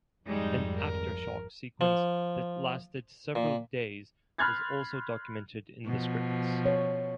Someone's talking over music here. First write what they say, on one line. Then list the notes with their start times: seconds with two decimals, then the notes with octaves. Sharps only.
An aftershock sequence that lasted several days was also documented in the scripts.
0.27 G#1 F2 G3 G#3 D#4
0.78 A#4
1.81 F3
3.35 A#2
4.38 B5 C6 F6 F#6 G#6 A6
5.86 B2 F3
6.66 C#5